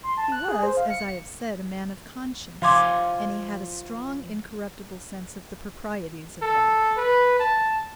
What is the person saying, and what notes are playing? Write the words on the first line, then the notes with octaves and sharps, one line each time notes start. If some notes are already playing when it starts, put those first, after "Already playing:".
He was, as I have said, a man of conscience, and he had a strong, incorruptible sense of the proprieties of life.
C6
A5
F#6
G#4
C5
F5
C#7
F3 F4 F5 G#5 C6 D6
A4
B4
A5